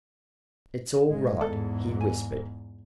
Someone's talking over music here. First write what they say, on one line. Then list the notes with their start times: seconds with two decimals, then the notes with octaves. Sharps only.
"It's all right," he whispered.
1.07 A2 G#3
1.41 E2 G#2 A4
2.01 G#5